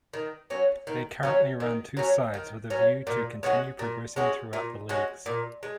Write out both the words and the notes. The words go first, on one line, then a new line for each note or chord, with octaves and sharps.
They currently run two sides with a view to continue progressing throughout the leagues.
D#3
F#3 C#4
D#3
F#3 C#4
D#3
F#3 C#4
D#3
F#3 C#4
A#2
G#3 C#4 F#4
A#2
G#3 C#4 F#4
A#2
G#3 C#4 F#4
A#2
G#3